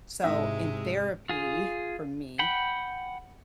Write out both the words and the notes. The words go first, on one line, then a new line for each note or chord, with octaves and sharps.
So, in therapy- for me-
G#2 C3 G#3 D#4 E4 E5
F4 G#4
F#5 G5 B5